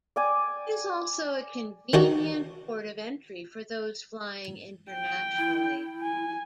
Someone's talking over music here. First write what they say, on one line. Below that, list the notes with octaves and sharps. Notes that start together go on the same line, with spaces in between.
It is also a convenient Port of Entry for those flying internationally.
D5 G5 G#5 D6
D#3 D4 F#4
G5
E4
G#5